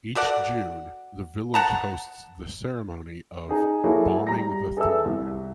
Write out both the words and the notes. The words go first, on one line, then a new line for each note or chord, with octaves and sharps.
Each June, the village hosts the ceremony of "Bawming the Thorn".
F#4 A4 D5 F#5
F#5 A5 A#5
D#4 G#4 A#5
F#3 A#3 E4 F#4 G#4 A4
G3 A#5 A#6
G#4 A4 B4 E5 E6
C2